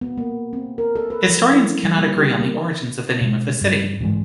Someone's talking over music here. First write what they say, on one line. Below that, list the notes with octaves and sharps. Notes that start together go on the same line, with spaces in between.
Historians cannot agree on the origins of the name of the city.
B3
A#3
C4
A#4
A4
B4
F3
E4
G3
A#3
G4
A#3
B2 G#3
G2
G#2 E3 F#3 G#3